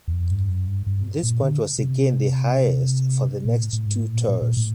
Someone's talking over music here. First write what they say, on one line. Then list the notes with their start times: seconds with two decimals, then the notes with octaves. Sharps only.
This point was again the highest for the next two Tours.
0.08 E2
0.12 F2
0.31 G2
0.49 F#2
0.67 G2
0.87 G2
1.23 A#2
1.42 D3
1.78 C3
3.45 A#2
3.60 A2
3.73 A2
3.86 G#2
4.01 A2
4.15 A#2
4.29 A#2
4.42 A#2
4.57 A2